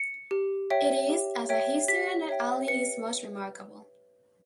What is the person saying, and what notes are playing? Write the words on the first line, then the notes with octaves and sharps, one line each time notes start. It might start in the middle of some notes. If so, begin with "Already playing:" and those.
It is as a historian that Alin is most remarkable.
Already playing: C#7
G4
C#5 E5 G5
G4
C#5 E5 G5
G4 B6
C#5 E5 G5
B4 C#7